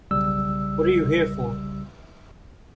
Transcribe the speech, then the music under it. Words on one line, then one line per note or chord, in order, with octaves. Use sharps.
What are you here for?
B1 C#3 G3 E6